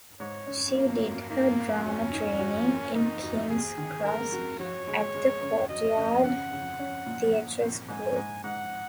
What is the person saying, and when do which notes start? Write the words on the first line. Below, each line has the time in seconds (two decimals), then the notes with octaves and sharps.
She did her drama training in King's Cross, at the Courtyard Theatre School.
0.20 G#2 C#5
0.47 C#4
0.75 A#3 C#4
1.03 F#3
1.30 A#3 D#4
1.58 A#2
1.84 F#3 C#4
2.13 D#4
2.39 F#4
2.67 A#3
2.95 A#3 D#4
3.22 F#4
3.49 D#2 G#4
3.78 D#3
4.05 G#3 A#4
4.32 F#4
4.59 F#4 C#5
4.87 G#3
5.15 G#3
5.42 C#3
5.69 F#3 D#5
5.97 C#3
6.24 C#3 F#5
6.52 C#3
6.79 C#4
7.06 A#2
7.33 A#2
7.61 A#1
7.88 G#2 G#5
8.16 G#2
8.44 G#2 F#5